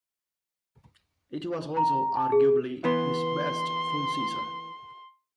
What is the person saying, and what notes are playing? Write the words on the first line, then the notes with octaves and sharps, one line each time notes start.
It was also, arguably, his best full season.
A#5
A5
G#4
E3 B3 C6